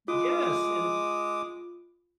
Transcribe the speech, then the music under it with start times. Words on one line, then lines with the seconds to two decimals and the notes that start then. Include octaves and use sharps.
Yes, and
0.08 G#3 F4 D6 D#6